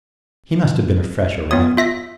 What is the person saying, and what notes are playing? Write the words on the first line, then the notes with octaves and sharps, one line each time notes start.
He must have been a fresh arrival.
B3 F4 C#5 D#6
F4 E5 A#6 B6